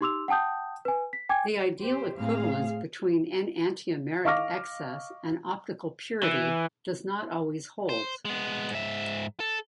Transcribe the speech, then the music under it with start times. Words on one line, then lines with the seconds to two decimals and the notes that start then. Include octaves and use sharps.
The ideal equivalence between enantiomeric excess and optical purity does not always hold.
0.01 D#4 G4 C6 D6 E6 F7
0.28 F#5 G5 A5 D#6 G6
0.85 B4 G#5
1.13 B6
1.29 G5 G#5 D6 G#6
1.81 G4 C5
2.17 A2 C4 G#4 F5
4.25 D#5 F5 C#6 D6 F6 A#6
6.23 E3
7.89 C5
8.25 G#3 B3
8.71 G#2 E5
9.40 A4